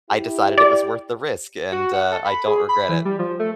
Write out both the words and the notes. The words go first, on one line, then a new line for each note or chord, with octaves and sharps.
I decided it was worth the risk, and, uh, I don't regret it.
E4 G4
D5
F#4
F#5
A4
B5
G#4
B5
E3
G3
F3
A3